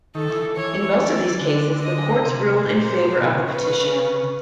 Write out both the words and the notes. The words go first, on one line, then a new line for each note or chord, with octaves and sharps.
In most of these cases, the courts ruled in favor of the petitioner.
D#3 A4
E3
E3
E3 C#5
D5
D3
D#5
C3
A#2 C5
A#2
B2
C#3
B4